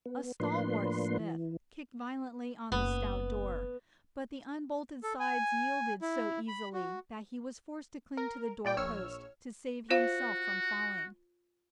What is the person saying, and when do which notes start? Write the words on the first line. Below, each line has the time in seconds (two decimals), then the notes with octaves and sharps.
A stalwart smith kicked violently on the stout door; but the unbolted sides yielded so easily that he was forced to cling to the door-post to save himself from falling.
0.06 B3
0.40 A2 F3 A#3 D4 B4 C6
1.20 E3
2.72 F#1 B3
5.03 A4
5.20 G#5
6.02 E4
6.48 B5
6.73 F#4
8.17 A#4
8.65 A#2 D5 G5 D6
8.77 A#1 C#5 E6 F6
9.90 F4 F#4 C5 F5